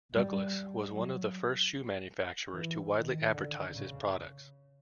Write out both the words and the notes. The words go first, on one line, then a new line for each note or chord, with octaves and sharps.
Douglas was one of the first shoe manufacturers to widely advertise his products.
G3
F#3
E3
D#3
D3
C#3